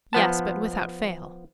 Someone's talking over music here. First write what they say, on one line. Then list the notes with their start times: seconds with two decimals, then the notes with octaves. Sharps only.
"Yes; but without fail."
0.13 F3 B3 A5